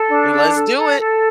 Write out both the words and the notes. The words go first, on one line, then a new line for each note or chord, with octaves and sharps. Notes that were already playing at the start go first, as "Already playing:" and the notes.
Let's do it.
Already playing: A4
D4
A4
A4
A4
A4